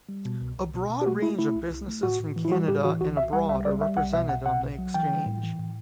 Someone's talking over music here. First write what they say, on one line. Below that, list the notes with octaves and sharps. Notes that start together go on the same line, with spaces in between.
A broad range of businesses from Canada and abroad are represented on the exchange.
G3
B2
C2
C2
B2
B2
G4
A3 F#4
A3 E4
A3 E4
C2
C2
A3
A2 F#4
A2
E3
E4
G3 F#4
A2 G4
E3 F#4
C2 F#4
C2 E5
G3 F#5
C2 E5
G3 D5
G3 E5
B1 F#5
B2 E5
B1 F#5
B2 F#5
B1
F#3
E3 G5
G3
A2
E3
A2